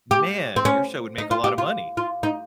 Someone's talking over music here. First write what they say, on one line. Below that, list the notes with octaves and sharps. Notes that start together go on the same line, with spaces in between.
Man, your show would make a lotta money.
G4
C4
C#4
D#4
F4
G4
F4
F4
D#4